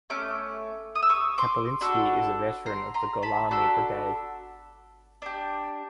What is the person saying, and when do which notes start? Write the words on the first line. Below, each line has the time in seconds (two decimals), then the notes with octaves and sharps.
Kaplinski is a veteran of the Golani Brigade.
0.10 A3 C#4 D6
0.95 D#6
1.02 E6
1.09 C#6 D#6
1.38 C6 D6
1.81 D4 F#4 A4 B5 C#6
2.66 A#5 C6
2.94 A#5 C6
3.22 A5 B5
3.51 D4 F#4 A4 A5 B5
5.22 D4 G4